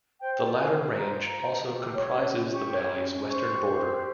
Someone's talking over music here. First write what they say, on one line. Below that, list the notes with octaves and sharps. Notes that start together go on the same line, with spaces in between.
The latter range also comprises the valley's western border.
C5 G5
F4
C5 G#5
F4
C5 A#5
F4
C5
F4
G4
C#5
C#4
C#4
G4 C#6
C#5
C#4
C#4
C5 C#6
G4
C5
G4